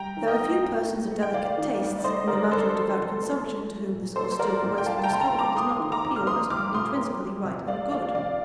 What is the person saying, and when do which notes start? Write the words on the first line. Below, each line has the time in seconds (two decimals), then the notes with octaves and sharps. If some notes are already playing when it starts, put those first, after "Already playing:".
There are few persons of delicate tastes, in the matter of devout consumption to whom this austerely wasteful discomfort does not appeal as intrinsically right and good.
Already playing: G3 G5 A#5
0.17 D#3
0.28 D#5 G5
0.40 A#3
0.63 A2
0.87 A3
1.10 A3
1.22 G5
1.34 A3 D5 F5
1.58 D#3
1.81 G2
1.99 D5
2.04 A3 C5 D#5
2.17 D#5
2.28 D3 A#4 D5
2.51 G2 A4 C5
2.75 F3
2.99 C3
3.22 A#3
3.45 A3
3.68 F3
3.93 A#2
4.16 A#3 A4 C5
4.32 C5
4.39 F3 A#4 D5
4.63 A2
4.78 G5
4.86 G3 F5 A5
4.99 A5
5.03 G5 A#5
5.10 C3 C6
5.21 G5 A#5
5.33 A#3
5.39 A#5 D6
5.56 A3 C6 D#6
5.80 D#3
5.92 A#5 D6
6.04 F2
6.16 F6
6.27 A#3 C6 D#6
6.50 G3 D6 F6
6.74 A#2 C6 D#6
6.97 A#3
7.21 F3
7.45 C3
7.68 A3 D5 F5
7.91 F3 D5 F5
8.15 C3 D5 F5